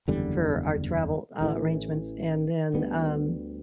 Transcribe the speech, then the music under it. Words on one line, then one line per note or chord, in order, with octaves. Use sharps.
for our travel, uh, arrangements, and then, um,
F#1 E2 D3 G3
A1 A2 E3
D2 D3 G3 B3